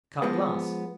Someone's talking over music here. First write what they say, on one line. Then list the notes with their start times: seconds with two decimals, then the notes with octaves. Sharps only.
Cut glass.
0.22 F3 G#3 B3